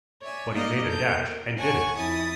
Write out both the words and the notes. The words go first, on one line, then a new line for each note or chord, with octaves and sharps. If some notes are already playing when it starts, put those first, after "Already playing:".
But he made a dash and did it.
C#5 D5 E5 G#5
A#3 D#4 D5 D#5 F5
A4 G6
A#4
C#5 F#5 G#5 A5 C#6
F2 E4 D#6 A6